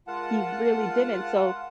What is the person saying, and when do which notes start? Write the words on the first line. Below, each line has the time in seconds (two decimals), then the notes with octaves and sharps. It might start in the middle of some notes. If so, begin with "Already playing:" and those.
he really didn't, so
0.08 G#3 F4 A#4 F5 F#5 A5